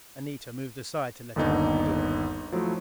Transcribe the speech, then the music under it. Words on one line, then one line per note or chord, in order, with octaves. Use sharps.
Anita moved aside to let him through the door.
G1 D#2 D3 B3 D#4
F3 F#3 A3 E4